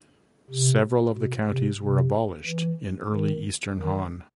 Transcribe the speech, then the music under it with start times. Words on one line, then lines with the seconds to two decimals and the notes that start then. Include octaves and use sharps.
Several of the counties were abolished in early Eastern Han.
0.50 C3
1.16 B2
1.49 C3
1.81 C3
2.47 E3
3.12 D#3
3.79 D#3